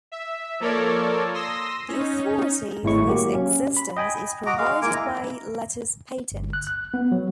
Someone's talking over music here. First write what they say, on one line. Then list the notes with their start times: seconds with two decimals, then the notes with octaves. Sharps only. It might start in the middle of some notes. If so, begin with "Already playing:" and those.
The authority for its existence is provided by Letters Patent.
0.12 E5
0.60 F3 A#3 A4 A#4 C#5 D5
1.34 C6 D#6 E6 A#6
1.88 C#4 D#4
2.83 G#1 A2 G#3 E4 C#6
3.06 F#3 A#3 F#4 G4
3.35 C#4
3.77 B5
3.97 D#5 G5 G#5 B5
4.46 F#4 D#5 A#5 D6
4.58 G#3 F5
4.82 A#3 G#5 D6
4.93 E4 A#5
6.32 G1
6.53 F#6
6.67 F#6
6.94 B3
7.12 F#3